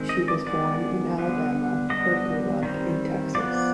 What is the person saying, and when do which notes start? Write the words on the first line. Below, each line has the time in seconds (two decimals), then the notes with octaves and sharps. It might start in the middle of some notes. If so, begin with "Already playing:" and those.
She was born in Alabama but grew up in Texas.
Already playing: D#3 G#3 C4
0.09 D#5
0.28 D5
0.46 D#3 G#3 B3 D5
1.18 D3 G3 B3
1.90 D3 G3 B3 D#5
2.63 D#3 G3 C4
3.35 F3 B3 D5